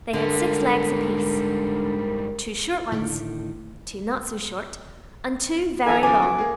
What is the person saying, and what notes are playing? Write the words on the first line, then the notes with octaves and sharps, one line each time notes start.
They had six legs apiece,--two short ones, two not so short, and two very long.
G#2 D3 G3 A#4
A2 D3 D#3
D#3 F3 A4 E5 G#5 A#5
D#2 C#3 F3 G#5 D6
F#4
A#3 G#4